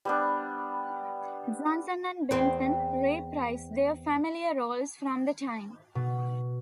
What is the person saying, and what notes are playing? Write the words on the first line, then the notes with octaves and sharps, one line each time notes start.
Johnson and Benton reprised their familiar roles from The Time.
G3 B3 D4
E2 C4
B2